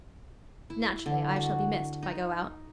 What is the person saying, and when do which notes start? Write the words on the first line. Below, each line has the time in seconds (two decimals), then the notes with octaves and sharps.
Naturally I shall be missed, if I go out.
0.70 E4
1.06 D3
1.36 F#4
2.03 D#4